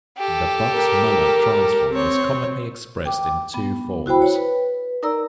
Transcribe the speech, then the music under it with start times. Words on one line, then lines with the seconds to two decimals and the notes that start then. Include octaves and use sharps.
The Box-Muller transform is commonly expressed in two forms.
0.18 G4 A4
0.70 A#4 D6
1.94 C4 C#5
3.05 G5 D6
3.54 B3
4.06 E4 F#4 C5 G5 B5
4.22 C#5
4.35 B4
5.03 D#4 A#4 D5 A#5 E6